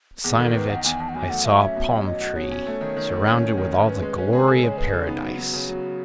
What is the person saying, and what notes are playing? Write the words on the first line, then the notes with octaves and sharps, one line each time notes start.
In sign of it I saw a palm-tree, surrounded with all the glory of paradise.
E2 G#4
D#3 A4
D#3 B4
D#3 F#5
E2 G#5
E2 A5
F#5
F#3 G#5
A3 F#5
F#3 E5
C#4
B2
F#3
B2 D#5
F#4
B2 C#5
C#4
A3
D#3
D#3
A3
C#4
D#3
D#3
D#3 C#5
C#4 B4
G#3
C#4
G#4
C#3 A4
G#3 C#5
G#4 B4
C#3 A4
B3 D#4
F#3
F#3 F#4
C#3
F#3